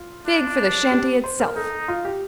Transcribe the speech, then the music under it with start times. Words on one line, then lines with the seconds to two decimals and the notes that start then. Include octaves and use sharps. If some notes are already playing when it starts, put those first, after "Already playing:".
A fig for the shanty itself!
Already playing: F4
0.26 D4
0.91 G4
1.24 C5
1.40 A#4
1.56 D#4 A4
1.88 F4
2.05 G4